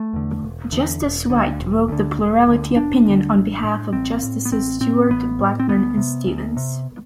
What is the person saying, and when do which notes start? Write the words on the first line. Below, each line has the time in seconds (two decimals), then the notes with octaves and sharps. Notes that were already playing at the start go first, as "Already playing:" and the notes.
Justice White wrote the plurality opinion, on behalf of Justices Stewart, Blackmun, and Stevens.
Already playing: A3
0.13 E2 D3
0.42 E1
0.72 E2 D3
1.02 E1
1.30 D2 D3
1.60 E1
1.88 D2 D3
2.18 E1
2.47 D2 D3
2.76 E1 D4
3.05 D2 D3
3.36 A1
3.64 A2
3.93 A1 C4
4.22 A2
4.45 B3
4.52 A1 C4
4.80 A2 C4
5.10 A1 B3
5.39 A2
5.60 C4
5.69 D2 B3
5.97 C3
6.27 D2
6.57 C3